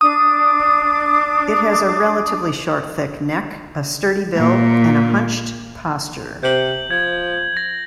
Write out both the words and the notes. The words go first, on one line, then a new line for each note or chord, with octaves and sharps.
It has a relatively short thick neck, a sturdy bill, and a hunched posture.
D4 D6 D#6
A#2
C3 G6 F#7
F3 G#6
A#6